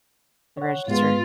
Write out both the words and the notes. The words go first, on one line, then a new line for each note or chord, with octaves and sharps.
The register?
C#5 F#5
G#2 G#3 B3 F4